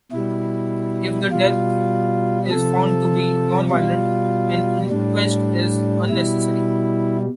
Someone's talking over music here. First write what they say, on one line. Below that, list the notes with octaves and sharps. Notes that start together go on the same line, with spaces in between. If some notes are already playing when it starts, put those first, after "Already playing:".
If the death is found to be non-violent, an inquest is unnecessary.
B2 G3 E4
B2 G3 F4
C3 F3 A4
B2 G3 F4
A2 G3 D4
B2 G3 E4